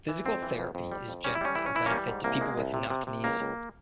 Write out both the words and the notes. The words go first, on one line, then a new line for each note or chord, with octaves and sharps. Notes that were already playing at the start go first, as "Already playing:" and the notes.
Physical therapy is generally of benefit to people with knock knees.
E3
F2 C4
E3
F2
F2
G3
F2
G3 C#4
E4
G3 C#4
E3 E4
C#4
E3 E4
A#3 C#4
G3
G#2
C2 A#3
G#3
C2
C3
C3
C3
C#2 A#3
C#2